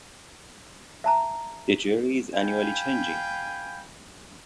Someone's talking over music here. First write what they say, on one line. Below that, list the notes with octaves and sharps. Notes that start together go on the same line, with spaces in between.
The jury is annually changing.
E5 A5 A#5
F5 G5 G#5 B5